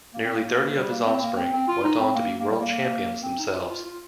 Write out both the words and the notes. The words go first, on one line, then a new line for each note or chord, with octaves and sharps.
Nearly thirty of his offspring went on to be World Champions themselves.
A#3
C4
A#3
G3
A#3
C4
A#3
C4
C4
F4
D#4
C4
A#3
A#3
G3
A#3
C4
D#4
F4
F4
F4